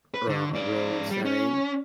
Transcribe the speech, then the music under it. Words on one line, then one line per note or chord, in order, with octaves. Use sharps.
ru a rural setting,
B4
D3
G#2 D5
G3
C#4